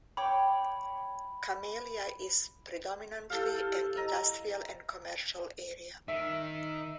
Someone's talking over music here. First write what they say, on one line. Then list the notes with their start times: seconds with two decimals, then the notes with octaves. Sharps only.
Camellia is predominantly an industrial and commercial area.
0.17 C#5 G5 B5 D6
3.30 E4 G4 A4 F5
3.97 D#5 A#5
6.08 D#3 E5